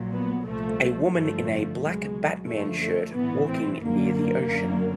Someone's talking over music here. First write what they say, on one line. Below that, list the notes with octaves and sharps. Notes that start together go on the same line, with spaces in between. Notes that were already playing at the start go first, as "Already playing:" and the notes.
A woman in a black Batman shirt walking near the ocean.
Already playing: A#1 A#2 F#3
B3
C2 A#2 F3 A3
G1 F2 D3 F3 A3
C#2 B2 F#3 G#3
F#2 D3 F3 A3
A3
A#1 A2 E3 B3
C4
F#2 D3 F#3 A#3
F#2 D3 F#3